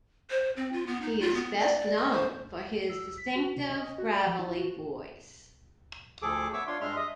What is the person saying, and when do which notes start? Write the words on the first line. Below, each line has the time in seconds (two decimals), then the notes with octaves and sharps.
He is best known for his distinctive gravelly voice.
0.30 C5
0.57 C4
0.73 F4
0.87 B3
1.02 D#4
1.21 F4
1.35 B3
1.58 D5
1.80 D5
1.98 D#5
2.11 C5
2.89 E6
3.18 B6
3.35 F#4
3.57 C3
3.70 D#5
3.98 F#4
4.14 D5
4.27 F3
4.39 E4
4.57 F#4
6.22 D2 F3 G#4 A4 D6
6.53 B3 C#5 E5 C#6 D6 E6
6.67 D4 F4 C#5 C6
6.81 G2 G#3 D4 E5 C6 F6
6.96 D#5 E5 D#6